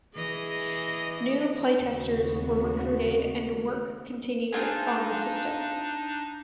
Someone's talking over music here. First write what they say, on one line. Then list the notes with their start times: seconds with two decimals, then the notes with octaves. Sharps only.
New playtesters were recruited and work continued on the system.
0.15 E3 G#4 D#5
1.79 D#2 C#3 A3 B3 C4 F#4
4.53 C4 D4 D#4 F4 G#4